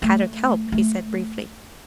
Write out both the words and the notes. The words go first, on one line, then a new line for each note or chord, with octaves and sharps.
"Kadok help," he said briefly.
A3
A3